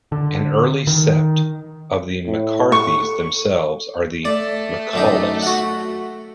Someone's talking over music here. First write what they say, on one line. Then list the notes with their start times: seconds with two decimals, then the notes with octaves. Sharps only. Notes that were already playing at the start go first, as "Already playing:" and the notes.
An early sept of the MacCarthys themselves are the MacAuliffes.
0.12 D3
0.87 D#3
2.27 A2
2.72 A4 C#6
4.25 A3 D5
4.93 F#2 D3 D#4
5.42 F#4 F#5